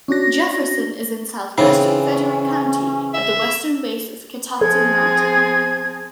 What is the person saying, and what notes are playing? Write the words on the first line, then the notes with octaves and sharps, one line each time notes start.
Jefferson is in southwestern Frederick County at the western base of Catoctin Mountain.
C#4 D4 F#4 A#6
C#3 E3 C4 C#4 D#4 C#5
E5
F3 C4 G#4 A4 G#6